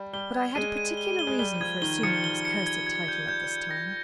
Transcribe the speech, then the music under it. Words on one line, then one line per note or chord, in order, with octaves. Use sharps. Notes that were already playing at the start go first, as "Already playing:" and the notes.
But I had a particular reason for assuming this cursed title at this time.
Already playing: G3
G3 G7
G#6
G#3 D#7
D#7
G7
G7
G#3
G3 G7
F3 G#6
D#3 G7
F3 C#7
G7
C#7
G#6
G#6
G6
G6
G6
A#6